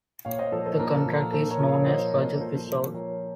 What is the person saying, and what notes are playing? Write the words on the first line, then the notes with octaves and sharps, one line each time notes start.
The contract is known as Project Resolve.
A#2 C#5 F5
C5 D#5
F3 A4 C5
A4 C5
A#2 A#4
A4
F3
A#4
A#2 A4 C5
A#4 C#5
F3
C#5 F5
F3 C5 D#5
A#2
F3 A4 C5
F3
F3 A#4 C#5